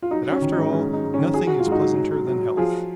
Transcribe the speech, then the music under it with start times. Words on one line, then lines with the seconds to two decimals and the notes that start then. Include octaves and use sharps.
That after all nothing is pleasanter than health.
0.02 F4
0.11 F#3 D#4
0.26 F#3
0.32 C#4
0.42 D#3
0.52 D#4
0.57 G#2
0.72 G#2 C#4
0.88 G#2
0.93 D#4
1.04 G#2
1.14 C#4
1.18 D#3
1.34 F#3 G#4
1.47 F#3 F#4
1.59 F4
1.65 G#2
1.71 D#4 F#4
1.80 F#3
1.95 F#3
2.11 F#3
2.27 F#3
2.42 F#3
2.57 F3 F4 G#4